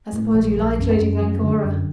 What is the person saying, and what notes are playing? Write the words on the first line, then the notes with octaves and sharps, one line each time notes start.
"I suppose you like Lady Glencora?"
A2
A#1
A#1
F#2
F#2
F#3
D3
F#2